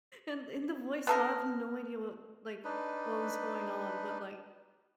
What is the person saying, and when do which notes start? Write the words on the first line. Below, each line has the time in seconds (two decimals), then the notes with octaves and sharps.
and, in the voice mail, I have no idea what like, what was going on but, like
1.07 B3 A4 A#4
2.65 D4 D#4 B4